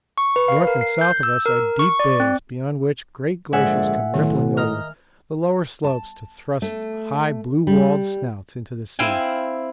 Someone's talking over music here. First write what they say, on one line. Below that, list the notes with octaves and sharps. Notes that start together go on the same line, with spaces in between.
North and south of us are deep bays, beyond which great glaciers come rippling over the lower slopes to thrust high blue-walled snouts into the sea.
C#6
B4
F5
A#4
C7
G6
E6
A#4
C#6
D5
C4
A#1 G#2 D3 E5 F#5 G#5
B1 A2 D#3
A#4 D#5 F6
A5
A3
G3
C4 E4 F5 G5 G#5